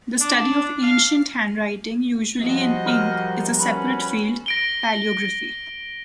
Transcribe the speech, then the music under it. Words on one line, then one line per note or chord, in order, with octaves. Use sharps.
The study of ancient handwriting, usually in ink, is a separate field, palaeography.
D4
F5
F3 G3 F#4 C5 D#5
A#4
C#4 F#4 B4 B5
A#6 D7 G7